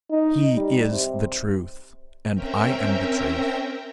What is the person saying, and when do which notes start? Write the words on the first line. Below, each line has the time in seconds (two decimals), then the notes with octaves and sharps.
He is the truth, and I am the truth.
0.10 D#4
0.56 G3
0.91 C3
2.34 C4 C#4 A#4 E5 G5 A#5